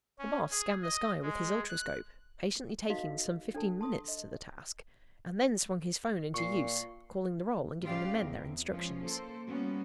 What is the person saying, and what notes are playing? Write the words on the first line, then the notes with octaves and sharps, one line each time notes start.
The Boss scanned the sky with his ultroscope, patiently taking some fifteen minutes to the task, and then swung his phone into use, calling the roll and giving the men their instructions.
C#4
G#4
D#5
G#3
F#6
D#4 F#4 A4 D#5 F5
D4 A4 A5
A5 C6 D#6
D#5
A#2 C#6 C7
A2 C#3 F4 G4 D5 F5
E2 C4
F3 G#3 C#4 F4
A#3 A4 C5
G3 A#3 B3 C#4 F#4